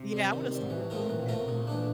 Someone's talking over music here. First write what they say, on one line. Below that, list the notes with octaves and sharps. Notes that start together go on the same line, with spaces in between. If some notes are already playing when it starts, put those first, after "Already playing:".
Yeah, I would have assumed that though.
Already playing: C3
G3 C4
D#3
G3 C4
G#2
A2 E3
A3 C4 F4 A#4
A2 E3
A#2
A3 C4 F4 A#4
B2
A#2 C#3
E3 A3 D4